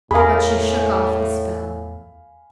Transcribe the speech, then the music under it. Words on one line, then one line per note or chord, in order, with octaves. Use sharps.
But she shook off the spell.
E2 A2 G#4 A#4 F5 G#5 B5